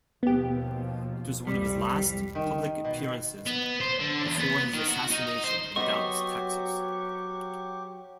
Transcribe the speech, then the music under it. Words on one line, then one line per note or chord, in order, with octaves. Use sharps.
It was one of his last public appearances before his assassination in Dallas, Texas.
D#2 B2 F3 B3 G4
C2 F2 G3 C4
D#3
B2
B3
C5
D3
E2
B3
D#3
F#4
D#4
C5
F#3 B3 C4 G4 D#5 C#6